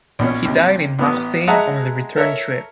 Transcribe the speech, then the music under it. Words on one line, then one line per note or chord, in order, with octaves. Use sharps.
He died in Marseille on the return trip.
A#1 B2 C#4
D#2 C3
A1 B3 D#6
G#3 E5 F#5 A5 A#5 D#6
A4 A#4 C#5 E5